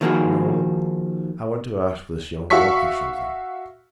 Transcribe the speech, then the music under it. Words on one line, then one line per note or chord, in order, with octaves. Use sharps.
"No, I want to ask this young Walker something."
D#3 F3 A#3 F#4 G#4
F#4 E5 F5 C#6 B6